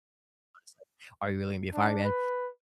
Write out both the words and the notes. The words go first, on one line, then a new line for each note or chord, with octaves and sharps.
honestly, are you really gonna be a fireman?"
D4
B4